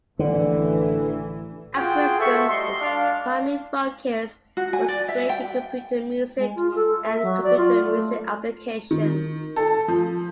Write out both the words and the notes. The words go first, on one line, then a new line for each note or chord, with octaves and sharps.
At Princeton, his primary focus was creating computer music and computer music applications.
A1 D3 E3
F4 F#4 G#4 G5
F#4 A4 C5 E5 C#6
G3 A3 D#5 C6
D4 F5
F#4
G#5
D5
E5
G5
G#3
F4
A4
E5
F#3
D5
F4
A3
D#3
A4
F3